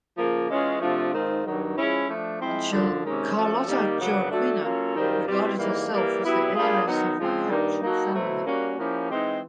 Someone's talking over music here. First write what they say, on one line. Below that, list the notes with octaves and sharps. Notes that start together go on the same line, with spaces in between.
Carlota Joaquina regarded herself as the heiress of her captured family.
C#3 F3 A#3
E3 G#3 C#4 F4 G#4
C3 F3 A3 D4 F4
G#2 D#3 G#3 C4 F4
G2 D#3 F#3
F3 G#3 C#4 E4
F3 A3 D4
F3 G#3 C4 E4 G#4
F#2 D3 F3
C3 D#3 G#3 C#4
F3 A3 C#4 F#4 A4
D#3 G3 A#3 D#4 G4
F#2 C#3 F#3 B3 D4
F#3 A3 D4 F#4 A4
F#3 A#3 C#4 F4 A4
F#2 D#3 G3 C4 F4
B2 G3 C4 E4
G#2 E3 G3 A#3
E3 G3 A#3
F#3 B3 E4 G4
G3 A#3 D4 F4 G#4
D#3 F#3 B3 D#4
C#3 F3 G#3 C4
G2 D#3 G3 A#3 D#4
F#3 A#3 D#4 F#4 A4
B2 F#3 A3 C4 E4
G3 A#3 C#4 F#4
F3 A#3 C#4 E4 G4
E3 G#3 C4 D#4